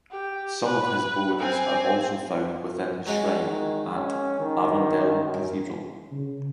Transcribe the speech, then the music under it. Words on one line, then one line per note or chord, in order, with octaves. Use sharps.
Some of his bones are also found within his shrine at Arundel Cathedral.
G4
B4
C4 G#5
F#3 G#3
D#3
C#4
D#3
F#2
C#3